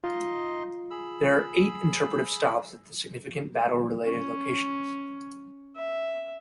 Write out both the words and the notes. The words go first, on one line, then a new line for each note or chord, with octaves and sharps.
There are eight interpretive stops at significant battle-related locations.
D#4 F4 D#5 C6
G#4 B5 E6
C#4
E5